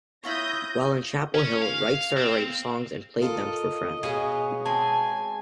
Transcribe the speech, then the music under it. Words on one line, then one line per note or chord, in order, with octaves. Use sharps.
While in Chapel Hill, Wright started writing songs and played them for friends.
E4 F4 C#5 D#6 G6 A#6
C#4
F5
C4
F4 A4 A#4 D#5
B2 G#4 C#5 F5 G#5
G#3 C4 G#5 A5